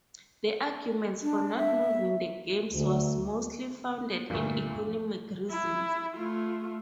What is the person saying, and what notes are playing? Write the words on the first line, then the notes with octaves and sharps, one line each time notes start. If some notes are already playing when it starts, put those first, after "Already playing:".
The arguments for not moving the games was mostly founded in economic reasons.
D4
E5
D2
D2 G2 A#2 F3 A3
E4
A3 F4